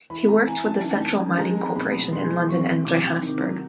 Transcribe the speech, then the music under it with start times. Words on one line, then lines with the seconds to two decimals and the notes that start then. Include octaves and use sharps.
He worked with the Central Mining Corporation in London and Johannesburg.
0.10 E3 B5
0.28 E3 A#5
0.47 E3 G#5
0.65 C#4 A5
0.84 D#3
1.02 C#4
1.20 D#3
1.38 G#3 A#5
1.57 C4
1.76 B2 B5
1.93 B2
2.12 G#3 C6
2.30 E3
2.49 C4 C#6
2.67 E3
2.85 C3 D6
3.04 C3
3.22 D#3
3.41 F#3